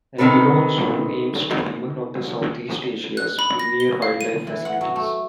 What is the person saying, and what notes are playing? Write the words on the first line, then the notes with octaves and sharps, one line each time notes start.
Avilon Zoo aims to be one of Southeast Asia's premiere wildlife facilities.
C3 D#3 F3 C4 A4 B4
F#6
B5
A#6
G7
F5
D#7
E3
F#5
F#3
A3